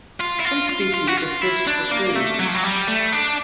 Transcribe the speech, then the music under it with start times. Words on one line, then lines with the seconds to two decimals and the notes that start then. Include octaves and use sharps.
Some species are fished for food.
0.20 F4
0.40 E4
0.45 F4
0.69 F4
0.94 F4
1.07 F#4
1.18 F4
1.42 E4
1.67 D4
1.91 A#3
2.15 A3
2.39 F#3
2.47 F3
2.55 F#3
2.64 G3
2.88 A3
3.13 D4